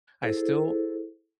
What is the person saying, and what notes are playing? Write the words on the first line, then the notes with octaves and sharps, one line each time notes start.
I still
E4 G#4 A4 C5